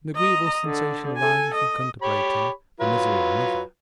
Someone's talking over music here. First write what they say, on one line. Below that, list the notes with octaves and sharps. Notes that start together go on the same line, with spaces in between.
An agreeable sensation arising from contemplating the misery of another.
D#5 A#5
D3
A4 G#5
D#5
G4 C#5 B5
F#3 F4 B4